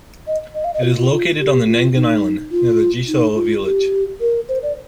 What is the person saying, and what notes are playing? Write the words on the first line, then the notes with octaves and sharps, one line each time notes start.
It is located on the Nangan Island, near the Jieshou Village.
D#5
D#5
F5
D#5
F4
F4
F4
G4
F4
D#4
F4
D#4
F4
G4
A#4
C5
D5